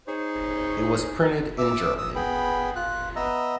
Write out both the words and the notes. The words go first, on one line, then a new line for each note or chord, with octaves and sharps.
It was printed in Germany.
D#4 G#4 C5 C#5
E5 D6 E6
D#6 E6
B3 G#4 G5 B5
F4 F#6
B3 D#5 E5 A#5 E6